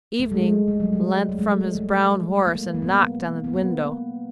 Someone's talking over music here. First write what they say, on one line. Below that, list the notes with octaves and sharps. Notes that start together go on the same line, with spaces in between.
Evening leant from his brown horse and knocked on the window.
A3
G#3
G#3
G3
F#3
G3
G#3
A3
A3
A#3
A#3
B3
B3
A#3